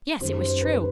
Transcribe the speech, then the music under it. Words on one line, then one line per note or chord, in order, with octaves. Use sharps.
Yes; it was true.
F#2 D#3 G3 C5
C5
B4
B4